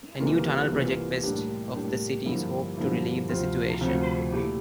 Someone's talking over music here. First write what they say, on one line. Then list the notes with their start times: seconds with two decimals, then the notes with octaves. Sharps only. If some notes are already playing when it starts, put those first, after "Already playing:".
A new tunnel project west of the city is hoped to relieve the situation.
0.20 C2 C3 E3 A#3 F4
0.71 C2 C3 E3 A#3 F4
1.23 A2 G3 A#3 D4 G4
1.74 A2 G3 A#3 D4 G4
2.26 G2 D3 F3 A#3 E4
2.77 G2 D3 F3 A#3 E4
3.29 D2 C3 F3 C4 F4
3.80 D2 C3 F3 C4 F4
4.32 A#2 A3 E4 G4